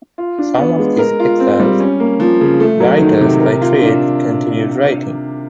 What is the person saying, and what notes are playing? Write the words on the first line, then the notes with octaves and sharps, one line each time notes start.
Some of these exiles, writers by trade, continued writing.
F4
D4
B3
G#3
A#4
F4
C4
G3
C#4
A#3
F3
C#3
A3
F#3
D#3
C3
A#4
F4
D4